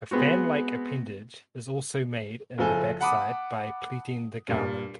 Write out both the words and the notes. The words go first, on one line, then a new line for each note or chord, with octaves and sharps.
A fan like appendage is also made in the backside by pleating the garment.
G#3 B3 C4 F#4
F#1 F3 A4 G#5
F#5 A5 B5 D6 D#6
G2 A#2